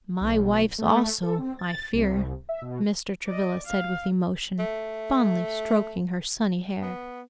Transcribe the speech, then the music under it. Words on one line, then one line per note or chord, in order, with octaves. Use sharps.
"My wife's also, I fear," Mr. Travilla said with emotion, fondly stroking her sunny hair.
B1
A3
A4
C4
A6
C2
E5
B2
D5 D#5
F5
A3
B3